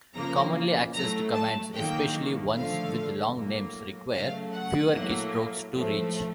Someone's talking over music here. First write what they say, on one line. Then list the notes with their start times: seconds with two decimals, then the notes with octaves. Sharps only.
Commonly accessed commands, especially ones with long names, require fewer keystrokes to reach.
0.14 C#3 F3 A#3 A#5
0.93 A2 F#3 A3 A#5
1.33 A5
1.73 D#3 F#3 A#3 G5
2.53 D3 F3 A3 F5
3.32 A2 F#3 A#3
4.12 C#3 F#3 A3 F5
4.52 F#5
4.93 A2 F#3 A#3
5.72 A2 F3 A3